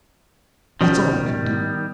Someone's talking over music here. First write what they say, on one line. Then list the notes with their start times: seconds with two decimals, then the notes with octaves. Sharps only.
That's all I can do.
0.81 B2 D#3 F3 G3 C#4